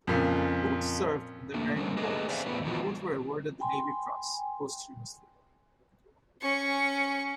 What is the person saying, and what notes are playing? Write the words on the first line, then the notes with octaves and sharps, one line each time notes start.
Both served in the Marine Corps, and both were awarded the Navy Cross, posthumously.
F2 A#2 C#3
A3 A#3 D4
D3 G3 A#3 C4 C#4
A3 G4 G#4 B4 D#5
C4 C5 D5 E5 F5
E2 A2 B3 F4 B4
E3 F3 B3 D#4 F4 F#4
G5 G#5 B5 C6
C#4 C#6